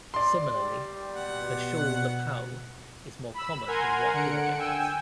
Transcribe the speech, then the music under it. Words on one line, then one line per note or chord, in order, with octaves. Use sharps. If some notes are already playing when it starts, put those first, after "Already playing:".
Similarly, the shawl lapel is more common in white dinner jackets.
D5 C6
G3
B2 F#5
B5 E6
A#4 F#5 G#5 A#5 C6 G#6
D3 F#5 C#7 D7
G5 G#5 E6